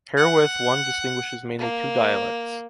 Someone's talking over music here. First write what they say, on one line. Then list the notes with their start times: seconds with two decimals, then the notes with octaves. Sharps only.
Herewith one distinguishes mainly two dialects.
0.17 F#5
1.59 A#3